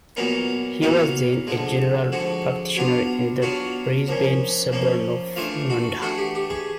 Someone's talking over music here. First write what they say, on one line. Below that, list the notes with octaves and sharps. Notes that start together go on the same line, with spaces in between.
He was then a general practitioner in the Brisbane suburb of Nundah.
A#2 F#3 B3 D#4 A#4
A#2 F#3 B3 D#4 F4
D3 F3 G#3
D3 F3 G#3 F#4
F#3 B3 D4 F4
F#3 B3 D4 F4 F#4
F3 A#3 C#4
F3 A#3 C#4
E3 A3 D4 F4
F#4
E3 A3 D4 F#4
G4
G4
G#4